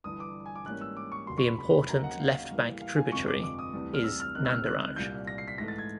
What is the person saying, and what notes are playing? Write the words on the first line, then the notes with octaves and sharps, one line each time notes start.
The important left bank tributary is Nandiraj.
G1 G2 E3 D#6
D6
G#5
D6
G#2 E3 G3 A#3 C#4 F#6
E6
D6
C#6
F1 D#2 C#3 F#3 C6
C#6
B5
B5
B5
D#2 C#3 F#3 A#3 D#4 A#5
F#5
F5
A2 E3 G3 A#3
F5
G#5
G1 F2 C3 F3 G#3 C#6
D6
D6
D#6
D2 C3 E3 G3
F6
E6
F6
C#2 C3 D#3 F#6
E6
F6
F#6
F#6
C2 A#2 G3 G6
A#6
C7
B6
G#2 E3 A3 A#6
A6
G#6